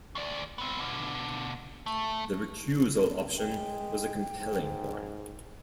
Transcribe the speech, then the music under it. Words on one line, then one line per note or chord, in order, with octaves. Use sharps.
The recusal option was a compelling one.
D2 D5
B3 C4
B2 D3
A3
G#3 G5
G#2